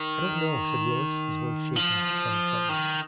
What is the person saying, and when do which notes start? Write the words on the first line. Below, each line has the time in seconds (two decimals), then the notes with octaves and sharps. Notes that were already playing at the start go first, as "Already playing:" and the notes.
"I don't know," said Willis, his voice shaking from excitement.
Already playing: D#3
1.76 F3
2.69 D#3